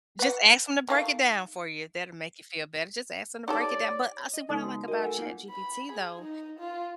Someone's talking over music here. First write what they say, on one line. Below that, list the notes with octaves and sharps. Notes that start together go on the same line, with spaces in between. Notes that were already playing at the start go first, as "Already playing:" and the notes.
just ask 'em to break it down for you. That'll make you feel better. Just ask 'em to break it down. But, uh, see, what I like about ChatGPT, though,
B4 F#5
D#3 A3 F5
D#4 G4 A4 C#5 D5
D#5
C#3 G#3 B3 D#4 A4 D#6
F#4
F#4 A#4 D#5 G5
A3 A4 F5 F#5 G#5
A#3 D#4 F4
B5
G#4
D#4
F4